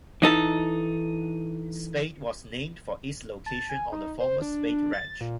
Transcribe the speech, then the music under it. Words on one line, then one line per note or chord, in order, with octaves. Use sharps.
Spade was named for its location on the former Spade Ranch.
E3 D#4 A4
A5
G#5
D#4
C5
D4
A6
A#2